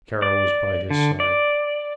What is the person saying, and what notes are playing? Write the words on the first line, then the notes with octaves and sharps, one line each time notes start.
Kara was by his side.
D5
D3
D5